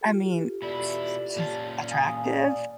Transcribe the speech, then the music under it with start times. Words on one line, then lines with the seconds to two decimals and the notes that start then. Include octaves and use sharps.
I mean, sh sh she's attractive,
0.01 F4 G4 A4
0.62 B2 E4 D5
1.36 A#2 C#4 A5
1.89 F5 G#5 D#6
2.25 D5